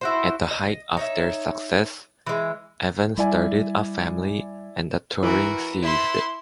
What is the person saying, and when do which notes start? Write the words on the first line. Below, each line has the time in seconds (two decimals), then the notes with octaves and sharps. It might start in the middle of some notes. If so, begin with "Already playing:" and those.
At the height of their success, Evan started a family and the touring ceased.
0.01 E4 F#4 C5
0.51 D#5
0.97 D#4 C#5 E5
2.26 E3 G#3
3.18 G3 E4 D5 G#5
5.23 E3 F#4 A#4
5.83 E4 C6